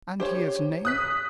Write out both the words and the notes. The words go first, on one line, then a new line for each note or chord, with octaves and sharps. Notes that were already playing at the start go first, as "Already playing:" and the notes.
"And he is named?"
G4 C5 C#5
D#6 F#6 B6